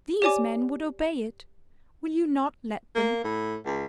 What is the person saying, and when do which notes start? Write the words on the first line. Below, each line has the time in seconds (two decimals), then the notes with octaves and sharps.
These men would obey it. Will you not let them?
0.22 G4 C#5 D5 G#5 D6
2.95 A#3
3.24 A2
3.66 C#2